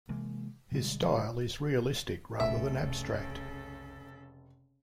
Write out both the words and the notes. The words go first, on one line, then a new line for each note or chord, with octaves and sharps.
His style is realistic rather than abstract.
C3 E3 G#3 A#3
B2 D3 G3 G#3
F1 B1 C#3 G#4 A4 E5